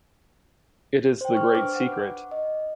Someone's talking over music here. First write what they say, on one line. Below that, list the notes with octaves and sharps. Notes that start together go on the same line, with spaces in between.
It is the Great Secret.
C5 G5
C#6 F6
D4 B4 D6
F#5
D#5